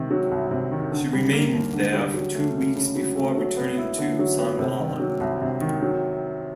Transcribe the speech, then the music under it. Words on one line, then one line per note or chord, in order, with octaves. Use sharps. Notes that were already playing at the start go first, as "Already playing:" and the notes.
She remained there for two weeks before returning to San Juan.
Already playing: C3 D#3
F#3
C2
C3
D#3
D3
G3
A#3
D#2
D3
G3
F#3
A3
C#3
C#3
F#3
A3
F#3
B3
E4
D3
F#3
B3
C3
D#3
F#3
C2
C3
D#3
F#3